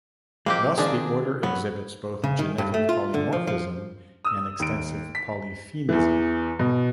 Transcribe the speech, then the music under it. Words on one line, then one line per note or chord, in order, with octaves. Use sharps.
Thus the order exhibits both genetic polymorphism and extensive polyphenism.
F3 G#3 A#3 C4 G4
D#3 F3 C4 D4 G#4
F#3 B3
C#3
D#3
G2
A3
F4
D3
F3
F3
D#6 E6
D#2 D7
B6
E2 E3
B2